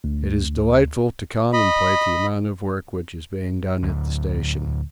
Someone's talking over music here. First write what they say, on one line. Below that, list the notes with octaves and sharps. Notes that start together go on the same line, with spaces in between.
It is delightful to contemplate the amount of work which is being done at the station.
D2
D#5 B5
D1 D2